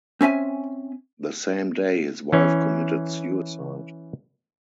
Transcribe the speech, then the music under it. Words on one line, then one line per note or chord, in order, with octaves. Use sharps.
The same day his wife committed suicide.
C4 C#4 E5 G#5
E3 C#4